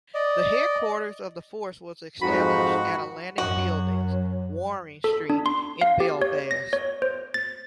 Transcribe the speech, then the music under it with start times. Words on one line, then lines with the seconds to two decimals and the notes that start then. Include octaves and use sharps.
The headquarters of the force was established at Atlantic Buildings, Waring Street, in Belfast.
0.15 D5 D#5
2.22 F2 G#2 G#3 D#4 F#4 B5
3.38 F#2 F#3 F#4
5.04 A4
5.30 D4
5.46 C6
5.81 F5
6.00 G4
6.22 C#5
6.51 A#6
6.73 C#5
7.02 C5
7.34 A6